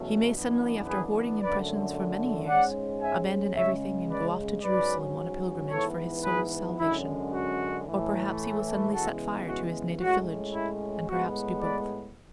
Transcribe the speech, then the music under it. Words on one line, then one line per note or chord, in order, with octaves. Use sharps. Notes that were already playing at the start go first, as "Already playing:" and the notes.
He may suddenly, after hoarding impressions for many years, abandon everything and go off to Jerusalem on a pilgrimage for his soul's salvation, or perhaps he will suddenly set fire to his native village, and perhaps do both.
Already playing: E2 B2 F#3 A3 C#4
F#2 E3 B3 D4
G#4 B4
F#2 D3 A3 B4 D5
G#2 G#3 C#4 D5 F#5
E5 G#5
C#3 G#3 C#4 C#5 E5
B4 D5
G#2 F#3 C#4 B4 D5
G#2 E3 B3 A4 C#5
G#4 B4
F#2 D3 G#3 C#4 E4
F#4
A2 E3 A3
C#3 E3 G#3 B3 F#4 A4
F#4
A2 G#3 C#4 F#4
E4
A2 G#3 B3 F#4
B4 D5